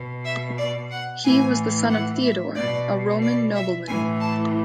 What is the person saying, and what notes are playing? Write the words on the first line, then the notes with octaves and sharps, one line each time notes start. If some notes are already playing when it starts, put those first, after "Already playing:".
He was the son of Theodore, a Roman nobleman.
Already playing: B2
E5
D5
F#5
A2 E3 G#5
F#5
E5
B2 D5
D5
E5
A2 E3 G#5
A5